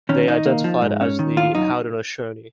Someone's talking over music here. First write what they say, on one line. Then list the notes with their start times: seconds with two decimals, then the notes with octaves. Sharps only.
They identified as the Haudenosaunee.
0.09 D#3 C#4
0.28 D#3 D#4
0.46 A#3
0.64 F3
0.82 G#2
1.01 C#4
1.19 D#3
1.37 D#2 F4
1.55 F#2 D#4